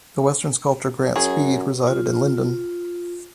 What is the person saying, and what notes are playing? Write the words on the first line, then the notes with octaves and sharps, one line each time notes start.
The western sculptor Grant Speed resided in Lindon.
F#2 G#4 C#5
F4